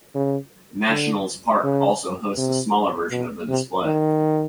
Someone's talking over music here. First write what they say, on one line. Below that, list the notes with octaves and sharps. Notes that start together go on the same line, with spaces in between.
Nationals Park also hosts a smaller version of the display.
C#3
D3
C#3
C3
B2
C3
D#3